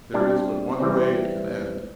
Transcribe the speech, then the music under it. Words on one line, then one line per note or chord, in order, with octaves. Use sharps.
There is but one way it can end.
C3 G3 D4
C3 E3 G3 C4